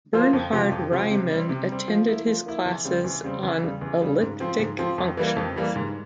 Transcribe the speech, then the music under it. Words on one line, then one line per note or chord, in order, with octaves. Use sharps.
Bernhard Riemann attended his classes on elliptic functions.
F3 A#3 F4 C5
F2
C3 F3 C4 G4
F2
C3 F3 C4 G4
C3
G3 C4
C3
G3 C4
F3
A#3 E4
F3
A#3 E4
E2
C#3 G3 C4
E2
C#3 G3 C4
E2
C#3 G3
E2
C#3 G3
G#2
F3 C4
G#2
F3 C4
F2
E3 G3 A#3
F2
E3 G3 A#3
G#2